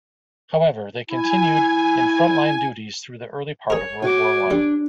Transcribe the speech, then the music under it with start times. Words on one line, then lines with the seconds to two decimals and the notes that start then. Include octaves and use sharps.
However, they continued in front-line duties through the early part of World War One.
1.10 E4 G#5
3.70 G#4 A#4 C#5
4.02 F#4 C#5 G#5 D6
4.51 G3 D4